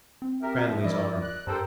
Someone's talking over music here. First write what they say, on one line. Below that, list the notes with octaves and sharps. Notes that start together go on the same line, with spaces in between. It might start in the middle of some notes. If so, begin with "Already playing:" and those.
Cranly's arm.
C4
G4 A#4 E5
F3
F3 E4 A#4 D5 D#5
F#6
G2 G4 A4 A#4 C5 G5 A#5